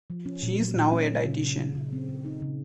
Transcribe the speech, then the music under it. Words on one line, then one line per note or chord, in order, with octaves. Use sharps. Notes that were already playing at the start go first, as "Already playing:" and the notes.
She is now a dietician.
F3
C#4
A#2
F#3
A#2
C#4
C#4
C#3
C#3
C#3
C#3
C4
C#3
D#4
C#3